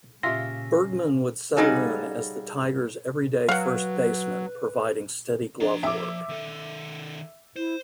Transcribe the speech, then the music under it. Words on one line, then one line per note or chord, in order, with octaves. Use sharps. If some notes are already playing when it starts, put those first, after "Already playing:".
Bergman would settle in as the Tigers' everyday first baseman providing steady glove-work.
A#2 C#3 F4 G4 E5 C6 A#6
C#3 G3 D#4 F#4 G#4 A4
F#3 B4 F5 F#5
F3 D4 A#5
E5 D6
D#3 A4
E4 C5